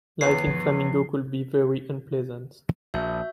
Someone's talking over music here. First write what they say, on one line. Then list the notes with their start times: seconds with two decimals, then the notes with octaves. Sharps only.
Life in Flamingo could be very unpleasant.
0.21 E2 B3 C#5 C7
0.47 G#2 F3
2.94 A#1 F#4 E5 G6